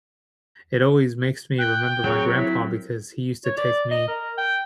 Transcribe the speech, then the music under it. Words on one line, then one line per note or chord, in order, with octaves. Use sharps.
It always makes me remember my grandpa because he used to take me,
G5 F#6
F#3 C4 G#4 A#4 C#5
E4 B6
C#5
D5
D#5
A#4
G5